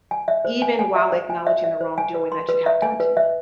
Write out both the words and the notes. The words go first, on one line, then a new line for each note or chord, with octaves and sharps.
even while acknowledging the wrongdoing that you have done to me.
G#5
E5
C5
G#5
G#5
E5
C5
G#5
E5
E5
C5
G#5
B4
C6
B4
E5
G#5
B4
E5